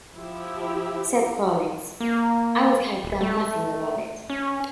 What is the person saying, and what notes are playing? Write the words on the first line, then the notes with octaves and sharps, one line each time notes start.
Said Collins: I would have done nothing about it.
F3 E4 G4
A#3
D#1
A3
C#4